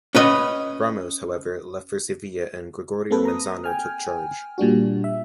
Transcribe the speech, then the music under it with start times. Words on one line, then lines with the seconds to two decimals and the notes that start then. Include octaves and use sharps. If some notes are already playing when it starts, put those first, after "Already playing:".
Ramos, however, left for Sevilla and Gregorio Manzano took charge.
0.15 C#4 B4 D#5
3.11 A#3 C4 A4 B4
3.25 A#5 D#6
3.64 G5 G#5 F6
4.58 A#2 G3 D4 F#4
5.04 E5